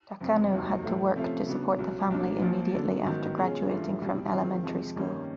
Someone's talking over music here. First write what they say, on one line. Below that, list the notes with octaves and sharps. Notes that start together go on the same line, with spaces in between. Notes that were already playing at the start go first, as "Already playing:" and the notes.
Takano had to work to support the family immediately after graduating from elementary school.
F#1 F2 C3
F1 D#2 D#3 F#3
A2 F3 A3
C3 F3 A3 C#4 F4
C#3 F#3 B3 D4
C2 B2 F#3
C2 A#2 F#3 A#3 D4
A#1 A#2 F3 A#3
D3 F#3 B3 D4
A1 G#2 D#3 F#3 B3
B2 G#3 C#4 F4 G#4
G2 E3 A3 D4 F4
C2 B2 G3
D#3 G#3 C4 F4
F2 C3 F3 G#3
G2 D#3 G3 A#3 C#4